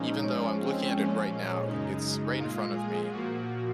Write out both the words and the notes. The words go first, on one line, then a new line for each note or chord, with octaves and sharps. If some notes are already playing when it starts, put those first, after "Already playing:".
even though I'm looking at it right now, it's right in front of me.
Already playing: A#2 F3 G#3 C#4 D#4
G#2 F3 G#3
C4
A#2 F3 G#3 C#4
F#2 C#3 G#3 D#4
A#2 G#3 F4
G#4
A#2 F3 A#3 F#4